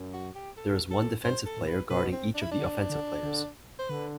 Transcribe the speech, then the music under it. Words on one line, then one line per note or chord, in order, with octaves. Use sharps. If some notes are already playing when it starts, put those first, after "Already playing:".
There is one defensive player guarding each of the offensive players.
Already playing: F#2
F#4
G4
A4
A4
G2 C5
A4
A2
B4
B2 B4
C4
D4
E4
D4
D3
D3
D3
C5
D3 B4